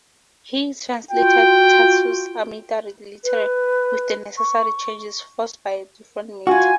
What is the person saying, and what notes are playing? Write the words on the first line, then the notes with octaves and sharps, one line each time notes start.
He translated Tasso's "Aminta" literally, with the necessary changes forced by a different meter.
F4 F#4 G5
B4
C#6
F4 F#4 G#5